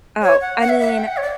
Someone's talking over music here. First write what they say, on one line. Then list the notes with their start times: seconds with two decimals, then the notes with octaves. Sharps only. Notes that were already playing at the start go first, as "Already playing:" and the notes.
Oh, I mean,
0.22 C#5
0.41 F#5
0.61 F#5
0.69 E5
0.80 E5
0.89 F#5
0.98 G5
1.08 F#5
1.17 C#5
1.22 D5